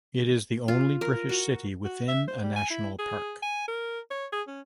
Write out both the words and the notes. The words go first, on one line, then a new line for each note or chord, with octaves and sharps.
It is the only British city within a national park.
F4
A#4
F#4
F#4
E5
C5
G3
G#5
E4
G#4
G#5
A#4
C#5
G#4
C#4